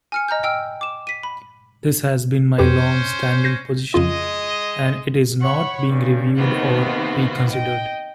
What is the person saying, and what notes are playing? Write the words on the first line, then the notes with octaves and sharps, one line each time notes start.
This has been my long-standing position, and it is not being reviewed or reconsidered.
G#5 F6 C#7
D#5 A#5 F6 G6
D#5 G5 E6 F6
D6 E7
B6 D#7
B5
F2 C#4 G4 B4 C5
G6 A#6 C7
F2 C#3 G#3 F4 D#5
C#5 F#5 B5 C#6
G2 C#3
D#2 C3 D#3 B3 F4 F#4
D#5 G5